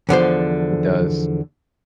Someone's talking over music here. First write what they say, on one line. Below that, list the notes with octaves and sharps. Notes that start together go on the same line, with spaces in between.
It does.
E2 D3 F3 C5